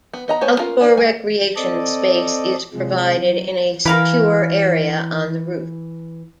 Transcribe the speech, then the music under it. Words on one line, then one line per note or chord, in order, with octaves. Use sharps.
Outdoor recreation space is provided in a secure area on the roof.
B3
B3 D#5 A#5
A3 B3 C5 C#5 G#5
A#3 C#4 F4 A#4 F5
D#4 B4 D5 G#5
G#3 G#5
C4 A4 D5 D#5
C3 F3 G#3
F#3
E3 A#4 F5 B5